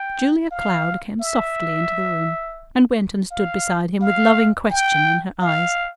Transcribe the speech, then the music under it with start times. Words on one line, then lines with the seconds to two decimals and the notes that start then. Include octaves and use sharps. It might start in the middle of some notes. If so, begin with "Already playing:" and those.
Julia Cloud came softly into the room, and went and stood beside him with loving question in her eyes.
Already playing: G5
0.52 F5
1.21 E5
3.31 F5
4.02 F5
4.71 G5
5.41 F5